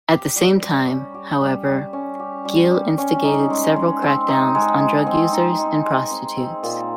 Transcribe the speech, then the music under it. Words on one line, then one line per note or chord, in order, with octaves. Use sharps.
At the same time, however, Gil instigated several crackdowns on drug users and prostitutes.
G4
G3
G3
C#4
G4
G3
G3
C#4
G4
G3
G3
C#4
D#4
G#3
G#3
C4
D#4
G#3
G#3
C4
D#4
G#3
G#3
C4
C4
A#2